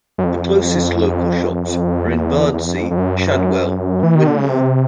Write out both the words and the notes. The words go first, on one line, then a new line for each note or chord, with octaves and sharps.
The closest local shops are in Bardsey, Shadwell and Whinmoor.
F#2
F2
E2
E2
F2
F2
F#2
E3
D#3
D3
C#3
C3